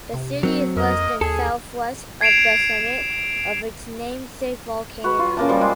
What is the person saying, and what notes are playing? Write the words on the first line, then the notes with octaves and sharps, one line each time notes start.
The city is less than southwest of the summit of its namesake volcano.
C3
F#3 C4 A#4
F2 A#3 A#4 D#5
D#2 G#4 A4
G#6 C7 D7 E7 F7
F#4 B4
F4
C#3 A#3 A5
F3 G3
G#3